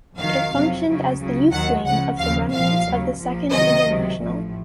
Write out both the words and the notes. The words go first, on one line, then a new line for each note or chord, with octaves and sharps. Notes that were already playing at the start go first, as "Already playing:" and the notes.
It functioned as the youth wing of the remnants of the Second International.
F2 D#3 F#3 F5
F2 C3 F#3
F2 C#3 F#3
C#2 C#3 F#3
D#2 D#3 F#3 F#5
C#2 C#3 F3 F#5
D#2 C#3 F3 F5
C2 A#2 F3 F5
D#2 C#3 F#3
A#1 A#2 F3
C#2 C3 D#3 F#3 D#5
C#2 C3 F#3
A1 A2 F3